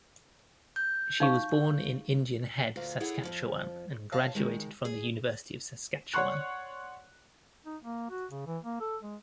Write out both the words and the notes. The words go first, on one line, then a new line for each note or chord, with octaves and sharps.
She was born in Indian Head, Saskatchewan and graduated from the University of Saskatchewan.
G6
D#4 F5 C#6
D2 A#2 F5
E4 G#4 A4 C#5 F#5
F2 G#2 F3
C#5 F5 A5
D#3 G#3
G#4
C#5 D5 F#5 C6 C#6 F#6
D#4
A#3
F#4
C#3
E3
A#3
A4
G#3